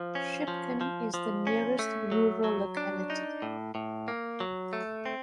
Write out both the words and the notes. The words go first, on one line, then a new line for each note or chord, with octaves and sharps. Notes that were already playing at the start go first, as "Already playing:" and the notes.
Shchepkin is the nearest rural locality.
Already playing: F3
C#4
F3
F3
F3
C#4
A3
F#3
F#3
D4
D#4
A2
A2
A#3
F#3
A3
C4